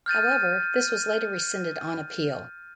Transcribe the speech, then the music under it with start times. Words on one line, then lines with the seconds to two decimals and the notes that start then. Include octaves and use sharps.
However, this was later rescinded on appeal.
0.06 F6 G6 A6 D#7